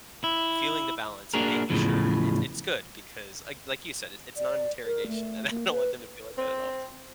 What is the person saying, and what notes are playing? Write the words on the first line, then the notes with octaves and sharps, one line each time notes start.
feeling the balance and making sure it it's good because, like like you said, it's it's not an interrogation, and I don't want them to feel like that at all,
E4
A#3 D4 F#4 G#4 A#4
E2 A2 C#3 F3
D5
A#4
A3
A#3
B4
C4